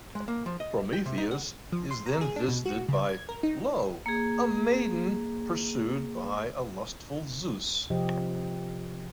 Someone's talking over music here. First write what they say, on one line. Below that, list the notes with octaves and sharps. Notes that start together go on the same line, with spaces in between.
Prometheus is then visited by Io, a maiden pursued by a lustful Zeus.
G#3
A#3
F3
D#5
G5
C3
D#4
F#5
F3
C6
A#5
G#4
D4
B2
F#4
C#3
G#6
A#4
D#4
A#3 G#4
C3 F3 G4 D#5